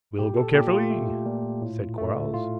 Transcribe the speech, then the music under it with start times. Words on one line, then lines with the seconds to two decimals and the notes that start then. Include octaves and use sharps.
"We'll go carefully," said Quarles.
0.19 A#2 G4
0.36 A4
0.54 A#2 G4
0.73 F4
0.91 A3
1.26 A#2
1.62 A2
1.98 A3
2.34 A2 F4